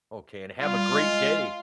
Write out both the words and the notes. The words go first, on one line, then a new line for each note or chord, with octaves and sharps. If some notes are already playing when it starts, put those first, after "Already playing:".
Okay, and have a great day.
G3 F4
G#3